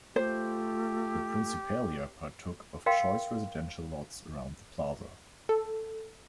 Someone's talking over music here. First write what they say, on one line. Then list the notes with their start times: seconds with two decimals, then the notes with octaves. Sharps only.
The "principalia" partook of choice residential lots around the plaza.
0.16 A3 F4 G4 C5
2.86 A#4 D#5 F5 G5 C6
5.49 A4